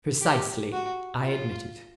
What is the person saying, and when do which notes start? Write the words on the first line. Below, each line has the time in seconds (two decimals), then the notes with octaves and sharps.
"Precisely," I admitted.
0.22 G4
0.72 F#4
1.23 F4